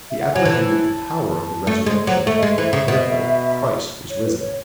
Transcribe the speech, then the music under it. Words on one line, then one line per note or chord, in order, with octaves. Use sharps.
He apprehended the power of the Resurrection, therefore Christ was risen.
E5
F#5
F#3 G#5
E3 A5
A3
G#3
F#3
A3 E5
G#3 D#5
E5
E3
C#3
B2
C#5
B4
C#5